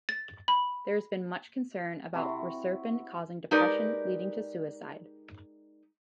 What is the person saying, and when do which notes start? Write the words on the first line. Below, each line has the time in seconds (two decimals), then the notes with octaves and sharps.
There has been much concern about reserpine causing depression leading to suicide.
0.09 A6
0.48 B5
2.14 C3 E4 F#4 C6
2.29 C#6
3.51 G#3 D#4 G4 A#4 B4 D5